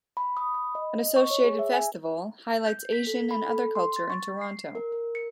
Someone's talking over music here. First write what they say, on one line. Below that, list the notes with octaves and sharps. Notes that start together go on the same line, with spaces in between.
An associated festival highlights Asian and other culture in Toronto.
B5
D#6
B5
D#5
D#5
C#6
C#5
G#4
E5
G#5
G6
B6
A4
B5
A4
C6
A6
C#6
C7
A#4
A#4
C#7